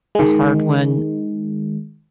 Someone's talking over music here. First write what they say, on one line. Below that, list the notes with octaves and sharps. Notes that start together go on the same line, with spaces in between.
a hard one
D#3 G#3